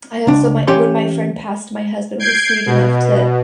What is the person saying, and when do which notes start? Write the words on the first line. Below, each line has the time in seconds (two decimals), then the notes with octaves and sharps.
I also my when my friend passed, my husband was sweet enough to
0.27 C#2 D4
0.67 E3 C#4 G4 C#5 C6
2.19 G6 G#6 C7 D7
2.66 B2